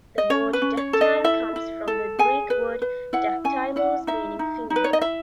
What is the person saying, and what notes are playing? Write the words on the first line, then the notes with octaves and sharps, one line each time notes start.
The word dactyl comes from the Greek word "daktylos" meaning "finger".
D#5
C#4 C#5
B4
C#4
C#5
A4
D#5
E4 E5
E4
A4
G#4 G#5
B4
B4
E4 F#5
C#4 G#5
E4 F#5
D#4 E5
D#4
D#4
B4
C#5
D#5
E4 E5